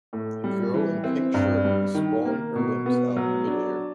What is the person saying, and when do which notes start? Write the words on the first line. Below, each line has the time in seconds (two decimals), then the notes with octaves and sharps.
A girl in a pink shirt is sprawling her limbs out in midair.
0.13 A2
0.44 G3
0.74 E3
1.04 C4
1.34 G2
1.65 G3
1.95 D#3
2.25 A#3
2.56 B2
2.86 B3
3.17 F#3
3.47 D4